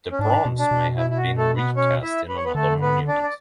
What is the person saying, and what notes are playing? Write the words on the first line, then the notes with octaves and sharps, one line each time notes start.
The bronze may have been recast in another monument.
C#4
G#2 D4
B2
D4
B2
E4
E4
F#4
A3 A4
B3 B4
C#4 C#5
E4 E5
B4
C#5
B3 B4
D3 A3 A4
B3 B4
D4 D5
D5